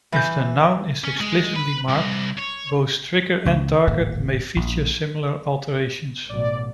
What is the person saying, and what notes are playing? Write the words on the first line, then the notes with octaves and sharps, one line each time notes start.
If the noun is explicitly marked, both trigger and target may feature similar alternations.
E3 G6
C#4
G#3
B4
C2
C#5
C#2 C#3
D1 G#1 A#2
A#1
A1 B2 F#3 D5